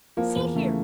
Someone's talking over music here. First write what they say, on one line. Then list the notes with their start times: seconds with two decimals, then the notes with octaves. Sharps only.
See here.
0.17 F3 A#3
0.36 E2
0.55 C#3 A3